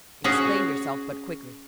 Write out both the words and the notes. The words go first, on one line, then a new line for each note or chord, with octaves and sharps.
"Explain yourself--but quickly."
C#4 F#4 G#4